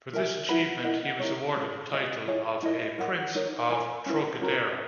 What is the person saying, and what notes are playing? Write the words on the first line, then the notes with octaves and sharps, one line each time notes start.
For this achievement, he was awarded the title of a "Prince of Trocadero".
A#4 E5 G#5
E4 B4 F#5 B5
E4 A#4 D#5 F#5
E4 A#4 C#5
C#4 G#4 B4
G#4 B4 D#5
E4 G#4 C#5 G#5
E4 A#4 D#5
A#4 C#5 F#5
D#4 A#4 C#5
A#4 C#5 G#5 B5
C#4 E4 B4
C#4 F#4 A#4